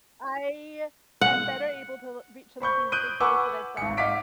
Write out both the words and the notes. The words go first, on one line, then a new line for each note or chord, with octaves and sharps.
I am better able to l reach some of these big goals that I've got and
F#5
C5 B5 C#6 G6
D#6 F#6 G6 D7 D#7
B4 F#5 G#5 C#6 D6 E6
G#1 C#7
D#5 F5 F#5 D6 B6 D7